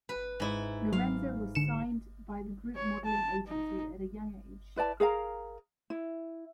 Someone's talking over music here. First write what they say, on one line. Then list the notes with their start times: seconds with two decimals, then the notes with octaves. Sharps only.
Lorenzo was signed by the Group modeling agency at a young age.
0.09 B4
0.40 G#2 E4
0.93 F#3 F5
1.55 D3 C#7 E7
2.75 C#5
3.05 A5
3.47 D#4
4.76 E4 B4 D5 A5
5.00 G#4 A#4 F5 A#5
5.90 E4